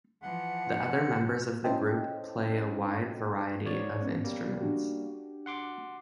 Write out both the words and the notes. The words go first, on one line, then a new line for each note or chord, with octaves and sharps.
The other members of the group play a wide variety of instruments.
E3 F3 F#5
C#4 E4 A4 C5 D#5 G5
G#2 C#5 D5
B3 C#4
G3 A#3
D4 F#4 G4
F#5 C6 D6